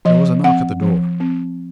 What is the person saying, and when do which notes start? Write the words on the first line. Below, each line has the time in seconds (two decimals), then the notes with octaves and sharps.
There was a knock at the door.
0.05 F3 D#5
0.44 C4 F#5
0.82 F3
1.20 C4